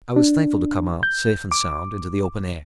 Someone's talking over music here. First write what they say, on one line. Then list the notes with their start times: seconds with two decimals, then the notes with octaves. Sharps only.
I was thankful to come out, safe and sound, into the open air.
0.16 D4
1.03 G6
1.52 D6